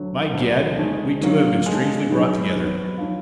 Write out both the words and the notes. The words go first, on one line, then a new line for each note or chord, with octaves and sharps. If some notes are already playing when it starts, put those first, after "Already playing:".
"By Gad! we two have been strangely brought together!"
Already playing: D2 D3 F#3
D2 D3 F#3
F2 D#3 G#3 D4
D#3 F#3 A#3 F4
D3 F3 G#3 D4
D#3 F#3 B3 D#4 G#4
F2 D#3 F#3 B3
D#3 F#3 D4 F4